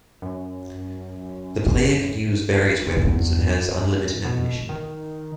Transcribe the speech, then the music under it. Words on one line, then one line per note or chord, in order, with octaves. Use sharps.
The player can use various weapons and has unlimited ammunition.
F#2
E2
F#2
B2
D#3